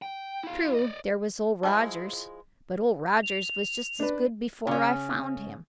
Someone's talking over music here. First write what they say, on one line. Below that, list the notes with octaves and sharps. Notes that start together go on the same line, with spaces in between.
True there was Old Rogers; but Old Rogers was just as good before I found him.
G5
E4 F5
D5 D#5
F3 G#3 E4
F7
D4 B4
C#3 C#4